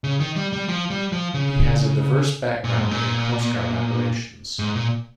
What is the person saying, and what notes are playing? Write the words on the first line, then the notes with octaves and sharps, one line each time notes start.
He has a diverse background in Coast Guard operations.
C#3
D#3
G3
G3
F3
G3
F3
C#3
A#2
G#2
A#2
G#2
A#2